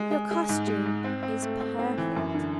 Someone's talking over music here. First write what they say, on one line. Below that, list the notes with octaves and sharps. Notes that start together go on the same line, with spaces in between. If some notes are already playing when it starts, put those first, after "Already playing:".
"Your costume is perfect."
Already playing: G#3
G#3
G#3
G#2
G#3
G#2
C4
C4
A3
C4
C4
E3
F#2
D3